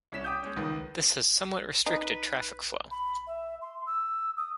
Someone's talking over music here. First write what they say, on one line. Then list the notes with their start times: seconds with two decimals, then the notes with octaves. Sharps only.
This has somewhat restricted traffic flow.
0.12 C2 C#4 B6 E7
0.24 G5 D6 D#6 G6
0.42 G#3 C#4
0.56 C#2 D#3 B4
1.86 D#4 B4
2.91 B5
3.27 E5
3.61 C6
3.86 E6
4.37 D#6